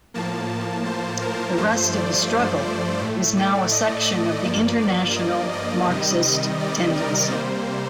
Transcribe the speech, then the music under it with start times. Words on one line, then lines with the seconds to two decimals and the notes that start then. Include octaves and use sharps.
The rest of The Struggle is now a section of the International Marxist Tendency.
0.14 A2 F3 A#3 A5
0.86 C5
1.22 A#4
1.57 G2 F3 A3 C5
1.93 D5
2.29 C5
2.66 C5
3.01 A2 A3
3.37 D5
3.72 D#5
4.44 G2 F3 A#3 D5
4.81 D5
5.16 D#5
5.52 D#5
5.88 C3 D#3 G3
6.23 D#5
6.60 D5
6.96 A#4
7.31 C3 G3 A#3 C5